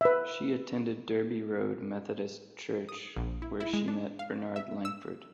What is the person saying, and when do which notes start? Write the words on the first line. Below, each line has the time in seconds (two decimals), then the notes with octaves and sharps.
She attended Derby Road Methodist Church where she met Bernard Langford.
0.01 B4 E5
2.89 D#6
3.17 A#1
3.42 E4
3.60 E4
3.73 G#3
3.88 D4
4.19 F5
4.56 E5
4.85 E6